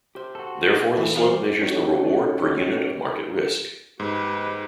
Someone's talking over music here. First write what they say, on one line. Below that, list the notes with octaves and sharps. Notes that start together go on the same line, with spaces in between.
Therefore, the slope measures the reward per unit of market risk.
G4 C5
F#4 A4
E2 E3 B3
C5 F5
G3
C#4 D#4 F#4 G4 A4 C#5
G#2 G4 B4